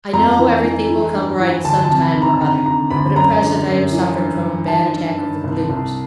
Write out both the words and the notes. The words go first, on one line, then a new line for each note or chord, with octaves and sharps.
I know everything will come right some time or other, but at present I am suffering from a bad attack of the blues.
F2 A#5
E3
E3
E3
G2
E3
D2 A5
A5
C3
B5
D#3
A#5
D3 A#5
D3 A#5
D2 B5
F#2 A#5
D3
F#2
E3
G2
E3
D#3 A5
G2
G2
C2
C2